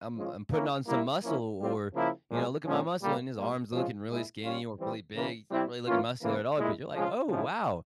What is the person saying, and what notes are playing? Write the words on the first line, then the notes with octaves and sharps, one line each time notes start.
I'm, I'm putting on some muscle” or, you know, “look at my muscle” and his arms looking really skinny or really big. He's not really looking muscular at all, but you're, like, “Oh, wow,
F3 G#3 C#4 F4
E3 A#3 C#4 E4
G3 A#3 E4
F3 A#3 C#4 E4
G3 C4 F4
C#3 F3 A#3 E4
A#2 F3 G#3
A#2 F3 G#3 C#4
A#2 G3 A#3
A#2 G3 A#3
F3 G#3 C#4 F4
A#2 G#3 E4
G3 C#4 F4
E3 G3 C4
C#3 E3 A#3 C#4
G3 C4 E4
E3 A#3 C#4 F4
C#3 E3 A#3
A#2 G#3 E4
C#3 F3 G#3 C#4 F4
C#3 F3 G#3 E4